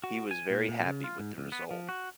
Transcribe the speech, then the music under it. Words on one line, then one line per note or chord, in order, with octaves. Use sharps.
He was very happy with the result.
F#4
G#5
A#2
A#2
C#3
F4
G#2
C#2
B3
F3
F#4